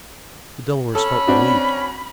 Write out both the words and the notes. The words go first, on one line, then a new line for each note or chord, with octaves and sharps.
The Delawares felt relieved.
C#4 A4 B5
C4 D4 F#4